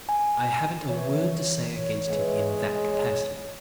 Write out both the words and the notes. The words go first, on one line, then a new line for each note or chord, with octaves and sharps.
I haven't a word to say against him in that capacity.
G#5
E3 C#5
G#3 B3 E4